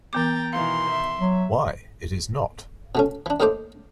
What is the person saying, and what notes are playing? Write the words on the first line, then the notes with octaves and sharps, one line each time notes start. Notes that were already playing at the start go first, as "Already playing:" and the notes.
Why, it is not!
E3 B3 G5 A#5 D6 A6
B2 D#3 E3 F5 C6
E5
F#3
B2 A3 C#4
E3 D4
D#2 A2 A3 D#4 C5 D6